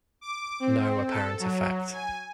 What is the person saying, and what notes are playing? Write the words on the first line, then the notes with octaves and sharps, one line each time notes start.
No apparent effect.
D6
C4
A4
F#3
G#5